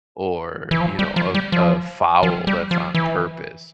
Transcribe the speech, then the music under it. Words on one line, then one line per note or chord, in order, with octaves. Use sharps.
or, you know, a a foul that's on purpose.
E3
F3
G3
F3
G3
F3
F3
G3
F3
E3